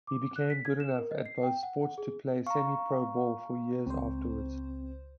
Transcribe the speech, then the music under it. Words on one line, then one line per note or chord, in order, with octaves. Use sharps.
He became good enough at both sports to play semipro ball for years afterward.
D6
F#6
B6
G#6
E7
A#4
D#5
C7
G5
F#5
F#5
G#4
F5 A#5 C#6
C#2 C4 C5